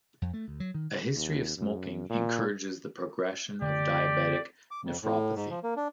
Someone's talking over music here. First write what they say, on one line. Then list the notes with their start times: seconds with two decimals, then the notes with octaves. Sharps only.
A history of smoking encourages the progression of diabetic nephropathy.
0.22 F2
0.33 A3
0.48 D2
0.60 F#3
0.74 D#3
1.14 D#2
1.57 F#2
2.10 A#2
3.62 F#1 D3 A3 G4 D5
4.71 D6
4.85 F2
5.03 A2
5.36 G#2
5.50 F3
5.63 A#3
5.77 D4